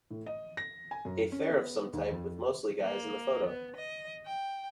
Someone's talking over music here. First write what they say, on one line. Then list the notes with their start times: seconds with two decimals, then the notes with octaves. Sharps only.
A fair of some type with mostly guys in the photo.
0.11 A2
0.26 D#5
0.57 A#6
0.91 G#5
1.05 F#2
1.32 C#4
1.49 B3
1.93 D#2
2.11 F2
2.80 A#3
3.46 B3
3.77 D#5
4.26 G5